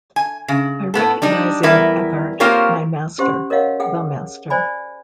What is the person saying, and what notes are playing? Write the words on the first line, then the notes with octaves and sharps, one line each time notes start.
I recognize in Eckhart my master, the master.
G#5
C#3
A2 B3 A4
G3 D4 D#4
E2 G3 E4 A#4 B4
A#3 C4 F4 G4 A#4 C#5
C#4 G4 C5 F#5 C6
A#4 C#5 D#5 F5 F#5
G#4 F#5 G5
C5 D5 G#5 B5